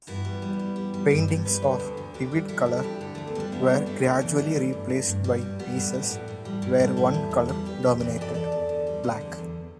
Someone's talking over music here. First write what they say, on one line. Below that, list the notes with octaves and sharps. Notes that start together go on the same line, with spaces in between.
Paintings of vivid color were gradually replaced by pieces where one color dominated: black.
G2 B3 E4
G3
G3
G3
G3
G3
G2
G2
G3 G4 B4
D3
D2
D3
D2 D4 G4
G3
G3 E4 A4
G3
E4
D2 D4 G4
D3
D2 A3
B3
G3 D4
G3 B3 E4
D2
G3 A3 D4
D2
E3
G3
E3
G2
G2
G2
G3
G2
G3 B3
A2
G3 B3
A2
A2
G3
A2
G3
E2 E4 A4
E2
E2
G3
E2 G4 B4
E2
E3 D5
E3 A4 D5
E2 A4 D5
E2
D3
G3
D3
E2
E2